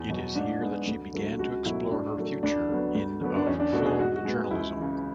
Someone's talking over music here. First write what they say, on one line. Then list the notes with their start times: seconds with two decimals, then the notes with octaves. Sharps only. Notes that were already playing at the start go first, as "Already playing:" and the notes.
It is here that she began to explore her future in of film journalism.
Already playing: E2
0.09 B2 F#3
0.35 G#2 D4
0.62 G#3 B3
0.87 D2
1.13 D3 F#3 A3
1.39 C#2 F#4
1.65 B2 F#3 A3 E4
1.91 A2 D4
2.17 F#3 A3
2.43 D2 D4
2.69 D3 F#3 B3
2.95 D2
3.21 D3 F#3 B3
3.36 D4
3.47 E2 C#4
3.60 D4
3.73 B2 A3 F#4
3.86 G#4
3.99 G#2 F#4
4.16 F#4
4.25 G#3 B3
4.51 C#2 E4
4.76 C#3 E3